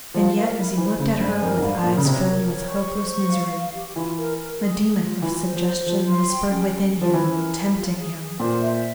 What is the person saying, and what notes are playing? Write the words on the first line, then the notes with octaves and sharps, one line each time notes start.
And yet as he looked at her with eyes filled with hopeless misery a demon of suggestion whispered within him, tempting him.
F3 F5
A#4
E4
E3 C5
C#3 C5
G2 G#5
F2 A#4
G#2
G2 F5
A#2 A#4
C#3
C3 C#5
A#4
C#5
C#6
C5
C#6
F5
F5
G4
E3 F4
A#4
A#4
G#4
G#4
F4
E3 F4
C5
F3
C5
F3 C5
C6
G5
C#4
C#4
C#4
F3
E3 E4
A#4
E4
F4
G#4
G#4
A#2 C5
E5